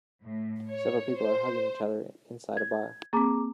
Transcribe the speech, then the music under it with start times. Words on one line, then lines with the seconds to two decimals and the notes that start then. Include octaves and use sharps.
Several people are hugging each other inside a bar.
0.23 A2
0.71 C#5
1.18 C5
2.57 G#6
3.13 A#3 C4 G#4 A#5 D6